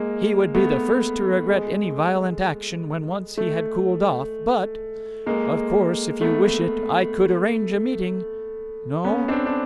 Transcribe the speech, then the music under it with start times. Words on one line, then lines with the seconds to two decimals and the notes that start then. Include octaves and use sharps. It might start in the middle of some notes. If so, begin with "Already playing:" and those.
He would be the first to regret any violent action, when once he had cooled off, but-- Of course, if you wish it I could arrange a meeting. No?
Already playing: G#3 A#3
0.54 A3 B3
1.49 G#3
3.37 A3
5.26 G#3 A#3
6.21 A3 B3
9.04 B3 C#4
9.28 C4 D4
9.46 D4